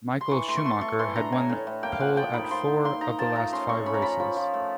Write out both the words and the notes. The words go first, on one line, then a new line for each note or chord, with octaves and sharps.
Michael Schumacher had won pole at four of the last five races.
C6
E3 C#6
A3 C6
C#6
A3 C6
A3 C#6
C#6
E3 C6
D4 A#5
A2 G#5
A2
A2
A#3 G5
F5
F3 F#5
F3 G5
D#4 B5
F3 C6
D#4
A#3 C6
D#4 A#5
F3 A5
A3 A#5
C#4 C6
A3 C#6
C#4 B5
A#5
F3 B5
F3
F3
A3